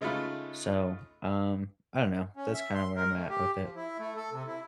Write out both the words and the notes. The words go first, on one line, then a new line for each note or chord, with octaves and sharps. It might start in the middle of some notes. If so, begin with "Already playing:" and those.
So, um, I don't know, that's kinda where I'm at with it.
C#3 G#3 A3 D#4 F4 B5
C#4
E5
C6
A#4
A3
G4
F3
E4
A3
A4
C3
E4